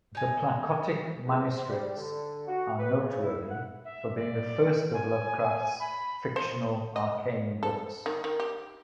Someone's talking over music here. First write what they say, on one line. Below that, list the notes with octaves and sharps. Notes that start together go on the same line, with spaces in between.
The Pnakotic Manuscripts are noteworthy for being the first of Lovecraft's fictional arcane books.
D#4 G#5
E2
C5
G3
D3
F#4
B4
C#3
E4
F#5
E5
D5
G#5
B5
C5
D#5
A4
D#3
D#3
G4